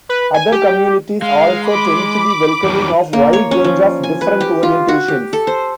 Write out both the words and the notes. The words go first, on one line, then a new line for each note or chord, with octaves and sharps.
Other communities also tend to be welcoming of wide range of different orientations.
B4
G#5
G4
G#3 F5
B5 D6
E2 D#3 F#3
A#3
C#5
C#4
F3
G#5
B4
G4
F4
F#4
G4
A4
C5